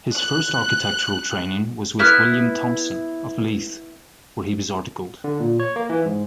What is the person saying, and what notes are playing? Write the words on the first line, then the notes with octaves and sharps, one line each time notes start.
His first architectural training was with William Thomson of Leith, where he was articled.
F#6
B3 E4 F6 F#6
D3
A#2
C#5
A#3
E3
G#2